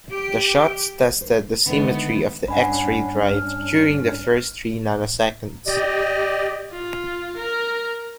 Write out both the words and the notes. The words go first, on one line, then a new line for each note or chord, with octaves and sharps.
The shots tested the symmetry of the X-ray drive during the first three nanoseconds.
G4 G5
C5
D3 D#3 G#3 A3 B3
G2 C#4 D4 F#5 G#5 B5
F6
G4 D5 D#5
F4
A#4